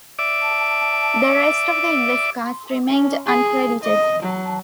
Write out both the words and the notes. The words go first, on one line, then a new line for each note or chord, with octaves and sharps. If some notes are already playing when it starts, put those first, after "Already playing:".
The rest of the English cast remained uncredited.
D5 E5 D6
C#4
G#4
D#5
F#3